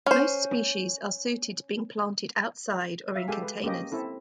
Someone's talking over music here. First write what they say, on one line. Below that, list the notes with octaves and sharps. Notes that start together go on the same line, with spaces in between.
Most species are suited to being planted outside or in containers.
C#4 C5
E5 F5
G#3 G4 A4 F5 G#5
B4
A#3 C#4 G4 D#5
C4 E4 A4